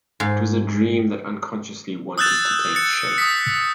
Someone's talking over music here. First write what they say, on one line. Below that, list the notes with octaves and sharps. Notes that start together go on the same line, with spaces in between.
It was a dream that unconsciously wanted to take shape”.
G#2
D#6 E6 F#6 G6 A6 E7
A6 C#7
D#6 B6